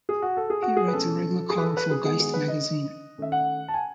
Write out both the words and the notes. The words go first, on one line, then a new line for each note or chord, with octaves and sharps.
He writes a regular column for "Geist" magazine.
G#4
F#4
A4
G#4
F#4
G#4
B4
B2 A3 C#4 A4
G#4
B4
A4
B4
G#4
D#3 G#3 B3 G#4
G#4
B4
D#5
D#3 A3 C#4 E5
F#5
A5
G#5